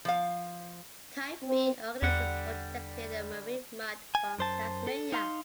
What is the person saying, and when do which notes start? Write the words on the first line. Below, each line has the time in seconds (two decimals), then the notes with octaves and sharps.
Type-B organisms were detected in marine mud from Tasmania.
0.05 F3 F5
1.42 C4
2.02 E2 D3 G3 F#5
4.15 G#5
4.38 F#2 C5 A5
4.87 A4
5.12 D#4 F5 A#5 C6